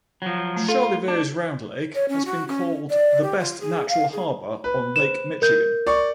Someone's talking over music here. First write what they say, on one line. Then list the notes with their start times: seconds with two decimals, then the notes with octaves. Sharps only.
Charlevoix's Round Lake has been called the best natural harbor on Lake Michigan.
0.22 F3 F#3
0.57 A3
0.68 F4 A4
1.08 D4
1.95 C#5
2.09 C#4
2.26 F#4
2.48 C#4
2.90 D5
3.22 G4
3.39 F4
3.60 G#4
3.89 F5
4.13 G#4
4.64 B4
4.96 C5 E7
5.42 A#4 G6
5.87 D5 C#6